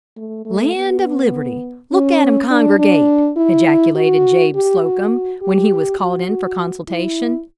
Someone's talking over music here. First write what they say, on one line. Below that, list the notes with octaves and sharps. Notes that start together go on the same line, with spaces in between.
"Land of liberty! look at 'em congregate!" ejaculated Jabe Slocum, when he was called in for consultation.
A3
A3
B3
C#4
D4
D4
E4
F#4
G4
F#4
G4
F#4
E4